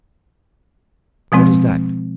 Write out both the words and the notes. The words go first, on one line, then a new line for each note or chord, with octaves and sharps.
"What is that?"
B2 F3 G#3 C4